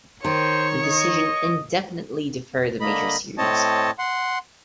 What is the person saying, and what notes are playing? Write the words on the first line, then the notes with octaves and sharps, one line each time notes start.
The decision indefinitely deferred the Major Series.
D#3 C5 C#5 C#6
D#5
D3 A#3 D#5 B5
A2 C4 C#5 D#5 A5
F#5 C6